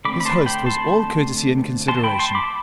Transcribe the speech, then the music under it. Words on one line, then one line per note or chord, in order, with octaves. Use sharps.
His host was all courtesy and consideration.
D3 A3 C4 B5 D6
B5
A5 C6
G5 B5
A5 C6
A5 C6
G5 B5
A5 C6
B5 D6